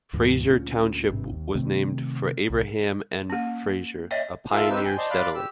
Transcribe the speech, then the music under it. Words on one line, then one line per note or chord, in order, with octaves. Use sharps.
Fraser Township was named for Abraham N. Fraser, a pioneer settler.
D2 G#2 E3
D2 A#2 C#4
G#1 G2 C3
D#2
C3 D#3 A3 C4
C2
A#3 C#4
C#5 D#5 E5 G5
F4 A4 A#4 E5 F5
C4 D#4 G4 B4 C5 E6
G5 G#5
C5 D5 D#5 A5 C6
D5 F5 B5 C6 D6 F#6
G4 E6